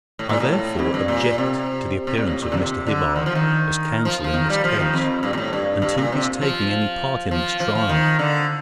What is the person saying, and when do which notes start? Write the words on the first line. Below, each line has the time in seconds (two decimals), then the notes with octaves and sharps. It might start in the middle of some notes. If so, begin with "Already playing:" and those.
I therefore object to the appearance of Mr. Hibbard as counsel in this case, and to his taking any part in this trial.
0.19 A2
0.29 A#2
0.40 A2
0.79 F2
0.94 G2
1.08 A#2
1.38 C3
2.07 C3
2.17 A#2
2.27 A2
2.42 A#2
2.52 D3
2.57 C3
2.87 D3
3.16 D#3
3.26 F3
3.35 D#3
4.05 F3
4.24 F3
4.34 D#3
4.50 G3
4.64 F3
4.79 D#3
4.94 F2
5.23 G2
5.33 A#2
5.38 A2
5.53 G2
5.82 G2
5.98 A#2
6.12 C3
6.41 F3
7.31 F3
7.60 F3
7.75 F3
7.89 D#3
8.19 D3